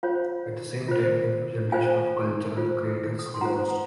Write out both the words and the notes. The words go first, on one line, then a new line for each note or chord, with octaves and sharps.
At the same time, a new generation of cultural creators emerged.
F4 C5 C#5 F5
F4 C5
F4 C5 F5 G#5
F4 C5
D#6
C#6
C6
F4 C5 F#5 A#5